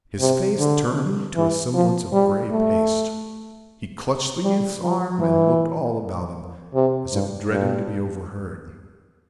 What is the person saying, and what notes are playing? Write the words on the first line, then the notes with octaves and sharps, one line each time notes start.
His face turned to a semblance of gray paste. He clutched the youth's arm and looked all about him, as if dreading to be overheard.
C3
D3
E3
F3
G3
A3
G3
F3
E3
C3
G2
G2